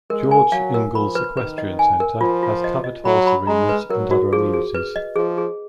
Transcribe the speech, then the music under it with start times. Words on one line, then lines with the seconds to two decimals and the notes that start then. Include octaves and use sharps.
George Ingalls Equestrian center has covered horse arenas and other amenities.
0.10 G#3 A#4
0.31 G#5
0.52 F#3 F5
0.74 A#4
0.95 F3 B5
1.15 B4
1.37 D#3 B4
1.58 D#5
1.79 G#5
2.00 A#4
2.21 F3 F4
2.43 F4
2.64 D#5
2.84 D#5
3.05 F#3 B5
3.27 B5
3.47 G#3 A#5
3.69 B4
3.90 F#3 A#4
4.11 F#4
4.32 F3 G#4
4.54 G#4
4.75 B4
4.96 D#5
5.16 F3 G#4
5.38 G#4